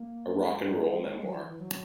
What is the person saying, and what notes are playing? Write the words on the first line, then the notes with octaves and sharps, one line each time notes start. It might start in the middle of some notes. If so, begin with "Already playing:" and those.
A Rock-and-Roll Memoir.
Already playing: A#3
G#3
F#3
E3
E3
F#3